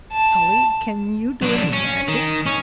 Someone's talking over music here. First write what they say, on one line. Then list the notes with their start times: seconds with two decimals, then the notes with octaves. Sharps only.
"Polly, can you do any magic?"
0.12 A5
1.42 F#3 D4
1.73 C#4
2.08 D#3
2.46 C#4